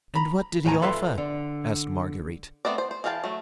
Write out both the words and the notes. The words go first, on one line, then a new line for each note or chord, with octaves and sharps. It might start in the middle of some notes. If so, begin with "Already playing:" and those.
"And what did he offer?" asked Marguerite.
A#5 B5
D#2 A2 F3 G#5 A#5
F4 A4 B4 E5 F5 C6
D3
A3 B3 C4 D5
C5
C5
E3 G#4 F5 G5 A5
F#3 A3